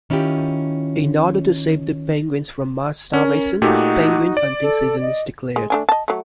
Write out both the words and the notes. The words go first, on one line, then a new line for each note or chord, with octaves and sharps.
In order to save the penguins from mass starvation, penguin hunting season is declared.
D#3 C#4 E4 F4 G4
C#4 A#4
A#2 A3 D#4 F#4 G4
D5
A4
D#5
G#3
A3 D4 G#5
D#5 A5
F#3 A3